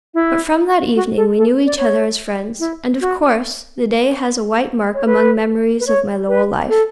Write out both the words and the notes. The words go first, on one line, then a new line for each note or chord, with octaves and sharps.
But from that evening we knew each other as friends; and, of course, the day has a white mark among memories of my Lowell life.
E4
F#4
A4
A4
D5
C#5
E4
F#4
C#5
B4
B4
C#5
B4
A4